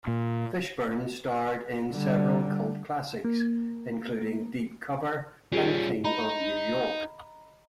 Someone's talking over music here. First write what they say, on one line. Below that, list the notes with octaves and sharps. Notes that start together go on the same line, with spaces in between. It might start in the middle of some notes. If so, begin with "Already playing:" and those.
Fishburne starred in several cult classics, including "Deep Cover" and "King of New York".
A#2
D3 G3
A#3
G3 C#4 F4 G4 G#4
D#4 D#5 A#5 B5